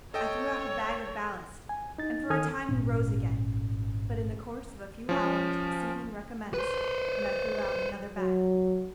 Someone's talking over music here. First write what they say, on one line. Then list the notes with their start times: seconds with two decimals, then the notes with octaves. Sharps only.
I threw out a bag of ballast, and for a time we rose again, but in the course of a few hours the sinking recommenced, and I threw out another bag.
0.14 A4 C#5 D#5 G5
1.69 G#5
1.98 D#4 A6
2.30 D#3 A4 G#5 D#6 F6 G#6
2.69 G#1 A#2 C#4
5.09 F3 C#4
6.54 B4 C5
8.17 F#3